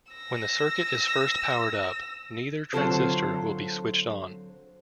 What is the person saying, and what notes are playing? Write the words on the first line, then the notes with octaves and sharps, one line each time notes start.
When the circuit is first powered up, neither transistor will be switched on.
E6 A#6
D3 F#3 C4 F4 A4 C5